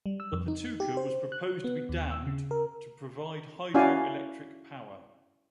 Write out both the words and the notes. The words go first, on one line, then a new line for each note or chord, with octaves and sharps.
The Patuca was proposed to be dammed to provide hydroelectric power.
G3
E6
F2
D#4
G4
C5
F#6
B3
D#2
E6
C#3
A#4
C#4 E4 F#4 D5 F5 G#5